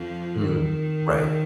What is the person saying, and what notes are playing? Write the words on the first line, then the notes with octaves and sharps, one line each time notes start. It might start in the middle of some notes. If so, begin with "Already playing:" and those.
Mm, right.
Already playing: F2 F3
D#3